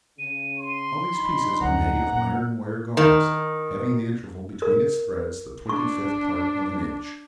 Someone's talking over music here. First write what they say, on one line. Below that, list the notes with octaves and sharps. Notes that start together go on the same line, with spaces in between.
All these pieces are made of iron wire-gauze, having the interval between its threads the twenty-fifth part of an inch.
C#3 D#7
C6
F3 D4 D#4 B5
D2 F#5 A#5
A#2
D#3
A#4
D4 C#6